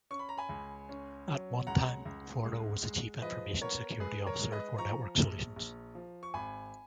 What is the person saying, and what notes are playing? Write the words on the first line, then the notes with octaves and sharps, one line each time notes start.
At one time, Forno was the Chief Information Security Officer for Network Solutions.
C#4 C#6
B5
A#5
G#5 B5
C#2
C#4
F#3
C#2 F#5 A#5
C#2
G#3
G#3
F3 B4 D#5
B3 A#4 C#5
G#3 G#4 B4
A#4 C#5
G#3
B4 D#5
F3 A#5 C#6
A#1
A#1
F3
C#6
G#1 G#5 B5